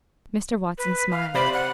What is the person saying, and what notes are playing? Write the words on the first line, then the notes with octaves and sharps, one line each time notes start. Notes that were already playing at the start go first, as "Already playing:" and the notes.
Mr. Watson smiled.
B4
F5
C3 C5 D5 B5
F#5